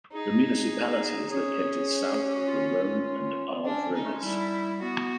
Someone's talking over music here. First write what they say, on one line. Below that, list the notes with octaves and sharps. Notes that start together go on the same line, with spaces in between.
The municipality is located south of the Rhone and Arve rivers.
D#4 G#4
C#4 G#4
G#4
G4
F#4
F4
C#4 D4
D#4
A3
G#3
G3 E4
B3 F#4